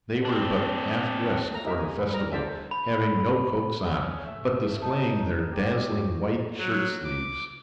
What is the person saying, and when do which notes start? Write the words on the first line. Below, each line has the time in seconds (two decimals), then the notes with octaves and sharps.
They were but half dressed for the festival, having no coats on, but displaying their dazzling white shirt-sleeves.
0.25 C4 D4
1.51 A3 A#3 A#5
1.65 D#4 G4 G#4 A#4 D#5 E5
1.78 G#5
1.94 D#4 G#4 B4
2.11 G3 A#4 A#5
2.32 D4 A4 C5 D5 E5
2.71 B5
3.93 C#4
4.25 G#2 C3 A3 E5
4.82 D#4 A5
5.20 E4 A#5
5.52 E2 F#3 G#3 G4 C#5
5.88 F2 F#4
6.57 F#3
7.04 D6